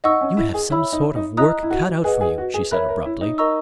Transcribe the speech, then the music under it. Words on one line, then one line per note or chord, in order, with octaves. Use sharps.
"You have some sort of work cut out for you," she said abruptly.
D#4 D#5 F#5 C#6 E6
C#4
E4
G#4
E4 C#5 E5 B5 E6
D#4
D#4
E4 D#5 A#5 D#6 F#6
E4
F#4
G#4 B4 D#5 F#5
G#4
F#4
G#4
A#4 C#5 E5 B5 F#6
A#4
E4
D#4
A#4 D#5 A#5 C#6 E6